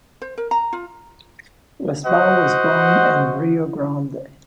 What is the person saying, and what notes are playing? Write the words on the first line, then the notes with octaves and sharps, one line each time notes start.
Lisboa was born in Rio Grande.
C5
A#4
A#5
F4
F#4 C5 D#5 F#5